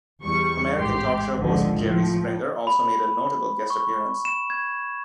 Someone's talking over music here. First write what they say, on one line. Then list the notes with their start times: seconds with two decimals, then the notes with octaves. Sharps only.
American talk show host Jerry Springer also made a notable guest appearance.
0.23 E2 G3 C#6
0.77 A1 G#2 G4 C6
1.37 G#1 C#2 D3 D#3 F3
1.80 A2 F3
2.67 B5
3.70 C#6
4.25 E7
4.50 G#6